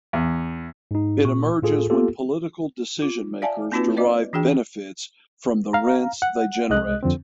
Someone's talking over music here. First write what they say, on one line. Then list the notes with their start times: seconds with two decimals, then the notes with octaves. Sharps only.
It emerges when political decision makers derive benefits from the rents they generate.
0.13 E2
0.91 G#2 D#4
1.25 A#2 C#6
1.62 A2 F4 G#4 A4
1.90 A#3 B3 F4 G4 A4
3.02 F4
3.42 D5 E5 F5 G#5 A5
3.72 A#3 C4 D#4 F4 F#4 B4
3.97 B4 D5 D#5 D6
4.33 E3 D4 F#4 G#4 G5
5.73 F5 A#5
6.22 F#5
6.70 C2 G#3 D#5 F#6
7.03 F2 D3 C4